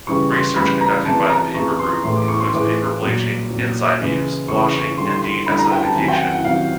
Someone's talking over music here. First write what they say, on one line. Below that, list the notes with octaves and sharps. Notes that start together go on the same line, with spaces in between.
Research conducted by the Paper Group includes paper bleaching, enzyme use, washing, and de-acidification.
C#3 E3 G3 C#6
C6
C#3 E3 G3 B5
A#5
C3 E3 G#3 A5
A#5
C3 E3 G#3 C#6
C6
A2 E3 G#3 C6
D6
C#6
C6
A2 E3 G#3 D6
A#2 F#3
A#2 F#3
C#3 E3 G#3
C#3 E3 G#3 C#6
C#6
D3 G3 C6
C6
C6
D3 G3 B5
A#5
G5
A5
C3 D#3 F#3 G#5
G5
F#5
F#5
C3 D#3 F#3 F5